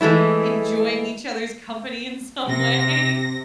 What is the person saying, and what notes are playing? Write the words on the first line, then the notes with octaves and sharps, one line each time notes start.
enjoying each other's company in some way.
E3 G#3 A3 E4
C3 A#6